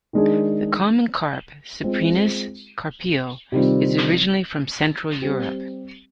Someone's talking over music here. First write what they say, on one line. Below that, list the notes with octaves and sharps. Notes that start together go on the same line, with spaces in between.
The common carp, "Cyprinus carpio", is originally from Central Europe.
D#3 G#3 D4 G#4
G#3 C4 F4 G#4
C3 D#3 G3 C4 F4
G3 C4 G4